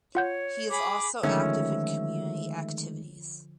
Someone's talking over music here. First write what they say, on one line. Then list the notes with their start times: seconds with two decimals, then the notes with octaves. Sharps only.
He is also active in community activities.
0.15 F4 C#5 F#5 G6
0.70 G#4 B5 D6
1.23 D3 D#3 F3 G#3 A3 C#4 E5 E6